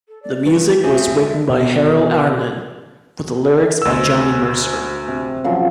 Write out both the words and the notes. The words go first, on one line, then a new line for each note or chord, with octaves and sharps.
The music was written by Harold Arlen, with the lyrics by Johnny Mercer.
A4
D5
G2 B4
G#4
A2 C4 F#4 G#4 E5
D3 G#3
B2
D2 C5 E5 E6
C3
C#3 F3 F#3